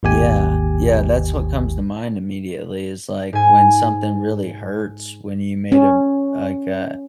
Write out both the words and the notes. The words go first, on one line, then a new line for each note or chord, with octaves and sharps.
Yeah. Yeah, that's what comes to mind immediately is, like, when something really hurts, when you made a m like, a
G#1 D#2 G4 G#5
G#2 G#5
C#4